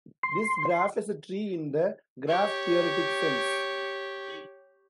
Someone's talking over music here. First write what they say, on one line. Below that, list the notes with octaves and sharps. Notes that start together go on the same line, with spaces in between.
This graph is a tree in the graph-theoretic sense.
C6
G4 C#5